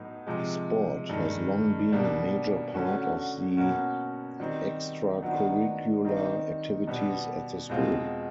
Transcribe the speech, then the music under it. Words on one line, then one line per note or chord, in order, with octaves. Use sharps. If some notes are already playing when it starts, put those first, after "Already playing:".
Sport has long been major part of the extracurricular activities at the school.
Already playing: A2 F#3 B3 D#4
C3 F3 G#3
G2 D#3 G#3
B2 G3 A#3 D4
D3 F#3 A3 C#4 F#4
B2 F#3 A#3 C#4 F#4
D#3 G3 C4 D#4
D#3 F#3 B3 D4
D#3 G3 C4 D#4
B2 G3 B3
E2 B2 G#3 C4 F4